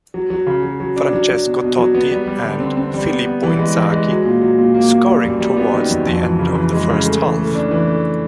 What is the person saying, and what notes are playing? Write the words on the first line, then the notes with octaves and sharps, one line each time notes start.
Francesco Totti and Filippo Inzaghi scoring towards the end of the first half.
F#3
F#3
C#3
F#3
F#3
D4
F#3
F#3
B2
B2
F#3
B3
G3
G3
D3
C4
C4
G3
B3
B3
E3
G#3
E3
G#3
F#3
A#2
F#3
A#2
A#3
A#3
G3
F#2
G3
B3
D#3
F#2
F2
E3
C#3
E3
G#3
C#3
A3
E3
A3
D4
E3
A3